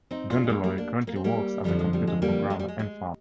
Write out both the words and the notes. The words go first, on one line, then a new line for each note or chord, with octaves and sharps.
Gunderloy currently works as a computer programmer and farmer.
C4 D#4
D4 F4
G#3
G3 A#3
G3 A#3
A#3 D4
A#3
C4
G3 A#3
F2 D3 F3 G3
G#3
G3
G#3
G3 A#3
G#3
G3
G#3
G#3